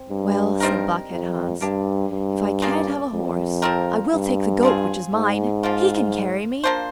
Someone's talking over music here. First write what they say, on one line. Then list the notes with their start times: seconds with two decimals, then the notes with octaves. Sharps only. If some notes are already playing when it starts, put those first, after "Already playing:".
'Well,' said Blockhead-Hans, 'if I can't have a horse, I will take the goat which is mine; he can carry me!'
Already playing: C4
0.10 G2
0.60 G3 C4 D#4 A#4
1.10 F2
1.61 G2 A#3 D4 G4
2.11 G2
2.62 A#3 F4 G#4 D5
3.12 F2
3.62 F3 C4 F4 A#4
4.12 G2
4.63 F3 C4 F4 G#4
5.13 G#2
5.63 F3 A#3 F4
6.64 A#3 D4 F4 C5